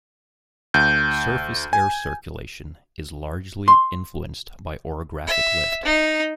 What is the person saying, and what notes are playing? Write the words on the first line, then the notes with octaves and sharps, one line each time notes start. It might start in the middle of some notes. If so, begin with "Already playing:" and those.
Surface air circulation is largely influenced by orographic lift.
D2 G6
G#5
C6
E5
D#4